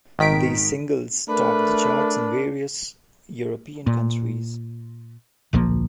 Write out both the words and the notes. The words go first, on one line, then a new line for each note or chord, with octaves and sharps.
These singles topped the charts in various European countries.
G#1 D#3 B6 D7
A3 D4 A#4 B4
A#2
D1 A#1 F3 A#3